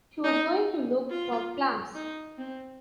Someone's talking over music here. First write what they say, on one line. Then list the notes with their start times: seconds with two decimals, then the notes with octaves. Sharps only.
She was going to look for clams.
0.24 D#4
1.10 F4
1.95 D#4
2.38 C4